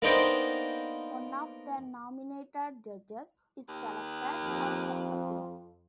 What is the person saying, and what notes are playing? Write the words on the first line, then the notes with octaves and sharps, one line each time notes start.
One of the nominated Judges is selected as the President.
A#3 B3 D4 D#4 C5 G5
D#2
F2